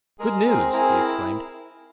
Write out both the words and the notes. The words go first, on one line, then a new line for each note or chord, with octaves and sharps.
"Good news!" he exclaimed.
G#3 G#4 A#4
C4 G#4 A#4
E4 G#4 A#4